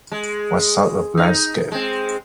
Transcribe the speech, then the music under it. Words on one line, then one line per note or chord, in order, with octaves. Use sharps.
What sort of landscape?
G#3
D#4
G#3 C4